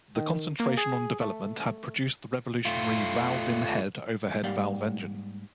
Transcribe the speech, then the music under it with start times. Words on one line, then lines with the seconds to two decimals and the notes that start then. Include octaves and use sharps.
The concentration on development had produced the revolutionary "Valve-in-Head" overhead valve engine.
0.16 D#3
0.60 A#3
0.77 G#4
1.21 A3
2.65 A3 F4
4.43 G#2 G3 A#3 D5 F5 G5